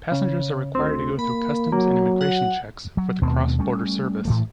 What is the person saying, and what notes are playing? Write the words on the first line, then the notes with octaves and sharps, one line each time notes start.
Passengers are required to go through customs and immigration checks for the cross-border service.
C#3
D2 C4
A#3 B5
F#3 A#3
F#5
F#3
D#2 B2 A3 C4
G3 A3 C#4
A2 E3 A3